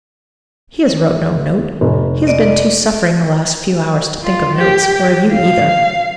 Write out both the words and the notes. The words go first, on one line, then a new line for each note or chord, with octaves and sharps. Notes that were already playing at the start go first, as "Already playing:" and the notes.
He has wrote no note; he has been too suffering the last few hours to think of notes, or of you either.
F1
D5 D#5
F4
G4
F5